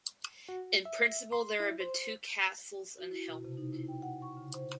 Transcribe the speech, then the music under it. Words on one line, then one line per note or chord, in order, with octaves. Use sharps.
In principle there have been two castles in Helmond.
F#4
E5
C6
E4
C5
F#4
E4
B2
C3
D#4
E4
G5
F#5
C#6
C#3
C5